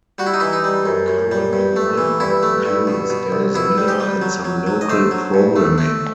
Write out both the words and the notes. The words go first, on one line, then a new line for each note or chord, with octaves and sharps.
The current lineup includes Dennis Miller, and some local programming.
G3 F#4
E4
D#4
E3 E4
D#4
G3
F#2
F#2
G3
G2
A3
E3
G2 E4
A3
G2
B2
B2
C2
B2 E4
G3
G4
G3
F#3
F#3
F#3
D#5
A3 C5
F#3
G2
A3
A3